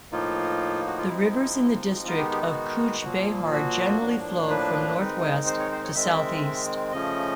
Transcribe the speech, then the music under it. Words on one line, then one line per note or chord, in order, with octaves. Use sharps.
The rivers in the district of Cooch Behar generally flow from northwest to southeast.
A2 F3 A#3 D#4 F4
F#4
F4
F3 G#3 C4 D#4 E4
D#3 G#3 B3 D#4 F4
G4
G4
F#4
A#2 F3 A#3
F#4
A2 F3 A#3 D4
B4
D#3 G#3 C4 D#4
C5
C#5
C5
C#5
D#3 G#3 C4 E5
C#3 F3 A3 C#4 D#5